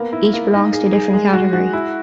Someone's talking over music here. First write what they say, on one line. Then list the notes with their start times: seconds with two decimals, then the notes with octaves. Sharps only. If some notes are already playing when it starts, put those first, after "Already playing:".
Each belongs to a different category.
Already playing: A#3 B3
0.13 E4
0.33 A#3
0.53 D#4
0.73 G#4
0.93 G#4
1.13 G#3
1.33 F#4
1.53 F#4
1.73 E4